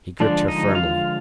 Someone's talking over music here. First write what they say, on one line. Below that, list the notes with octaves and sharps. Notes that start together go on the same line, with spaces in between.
He gripped her firmly.
D3 F3 G#3 D4 D5
D#4 D#5
F4 F5